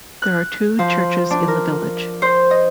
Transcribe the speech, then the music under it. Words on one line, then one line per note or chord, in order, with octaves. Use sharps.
There are two churches in the village.
F#6
F3
D4
A#4
C5
D#5